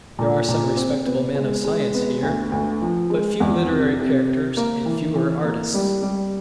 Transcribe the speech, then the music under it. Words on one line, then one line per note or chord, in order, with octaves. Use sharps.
There are some respectable men of science here, but few literary characters, and fewer artists.
A#2
A#2
C4
B3
G#3
G#3
B3
D2
D2
F3
G#3
E2
C3
C3
C3
A#3
E3
E3
A#3
G3
G3